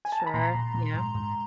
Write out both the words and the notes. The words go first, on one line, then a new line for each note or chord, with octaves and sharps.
Sure, yeah.
G#5
A5
A#5
B5
A#2 A#5 C6
A#2
A#2
G#2
G#2